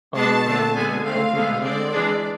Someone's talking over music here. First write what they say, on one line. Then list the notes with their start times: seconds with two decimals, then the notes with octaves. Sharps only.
um, like Kung Fu Panda.
0.16 G#3 B3 D4 A5
0.45 D3 A3 C4
0.75 D3 G#3 B3 G#5
1.04 D3 A3 C4 F5
1.33 D3 G#3 B3
1.64 G#3 C4 D5
1.93 E3 G#3 D4